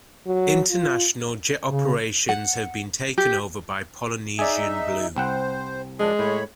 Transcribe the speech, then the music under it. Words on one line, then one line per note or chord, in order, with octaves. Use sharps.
International jet operations have been taken over by Polynesian Blue.
F#3
F4
C#3
F#5
G4
D#4 G#4 D5 E5
C2 C4 C5 F#5
F#2 F3 G#3 D4
A2 C#5 B5